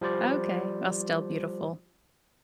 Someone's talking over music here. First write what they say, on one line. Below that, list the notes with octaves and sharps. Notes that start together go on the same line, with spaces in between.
Okay. Well, still beautiful.
F3 G3 C5 D5